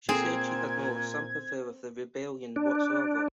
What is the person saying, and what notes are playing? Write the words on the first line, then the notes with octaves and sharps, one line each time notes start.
She said she had no sympathy with the rebellion whatsoever.
A#2 C4 G#4 G#6
D4